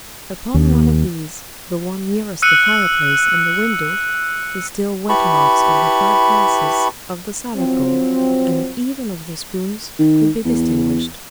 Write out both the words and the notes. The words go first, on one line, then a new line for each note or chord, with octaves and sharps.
Upon one of these, the one nearest the fireplace and the window, the still wet marks of the five glasses, of the salad-bowl, and even of the spoons could be distinguished.
D#2
E6 F#6 C#7 D#7
E4 G4 B4 A5 B5 C#6
F3 F#3 C4
D#3
E2